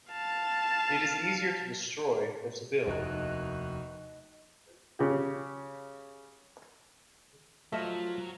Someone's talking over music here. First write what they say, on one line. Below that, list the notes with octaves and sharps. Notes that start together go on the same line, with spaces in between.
It is easier to destroy than to build.
F5 A5
F1 D#2 D#3 E3 D#4 F#4 D#5 F#6
C#3 G4
F3 F#3 A3 F4 D#5 E5